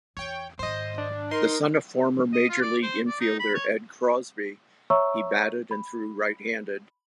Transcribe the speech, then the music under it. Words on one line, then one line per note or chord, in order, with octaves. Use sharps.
The son of former major league infielder Ed Crosby, he batted and threw right-handed.
E2 C#5 G5
G#2 D#3 C5 D#5
D4
D#4 A#4 C6
D#5
F4
D5
C5
D5
D#4
B5
C#5
C#5 E5 A#5 C#6 E6
B5